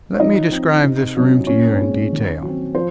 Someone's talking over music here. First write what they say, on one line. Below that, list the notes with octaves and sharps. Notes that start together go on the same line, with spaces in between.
Let me describe this room to you in detail.
C#5
F3 D#4 D#5
C4
C3
F#3 C#4
A#2 C#4 C#5
G#3 C4
D#3
F#3
C4
F3 C5